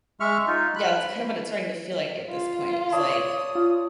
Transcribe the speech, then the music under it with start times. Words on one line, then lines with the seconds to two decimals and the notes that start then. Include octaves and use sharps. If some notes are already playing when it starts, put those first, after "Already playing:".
Yeah, that's kind of what it's starting to feel like at this point is, like
0.20 G#3 E5 C#6 F6
0.47 D#4 F4
0.75 B5 F#6
2.30 F4
2.93 C#5 D5 A5 D#6
3.55 F4